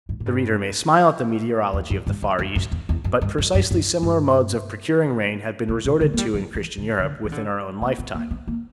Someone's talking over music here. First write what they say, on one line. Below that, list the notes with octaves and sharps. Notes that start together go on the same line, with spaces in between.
The reader may smile at the meteorology of the Far East; but precisely similar modes of procuring rain have been resorted to in Christian Europe within our own lifetime.
G2
A#2
G2
E2
F#2
G2
F#2
F#2
F#2
E2
E2
F#2
G2
F#2
F#2
F#2
G2
A#2
B2
D3
A#3
G3
F#3
E3
D3
D3
E3
D3
A#3
B3
A#3
B3
A#3